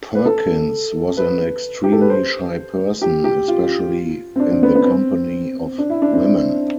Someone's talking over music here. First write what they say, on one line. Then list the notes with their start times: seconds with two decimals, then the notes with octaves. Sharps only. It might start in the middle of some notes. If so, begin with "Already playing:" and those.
Perkins was an extremely shy person, especially in the company of women.
0.15 B4
0.26 A4
1.17 B4
1.84 G4
1.92 A4
2.01 B4
2.10 C5
3.02 G4
3.24 G4
3.48 F4
4.36 C4
4.40 D4
4.51 C4
4.63 B3
4.75 B3
4.86 C4
5.78 D4
5.90 E4
6.02 D4
6.13 C4
6.24 D4